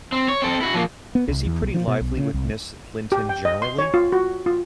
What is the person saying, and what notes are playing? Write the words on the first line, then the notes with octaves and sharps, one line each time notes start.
Is he pretty lively with Miss Linton generally?
C4
C#5
C4 A4
E4 F#4
F3 A#3
B3
C2
E2
B1
F3
B2
B1
C#3
C2
G4
G5
D#5
C6
C#5
F4
F#4
F4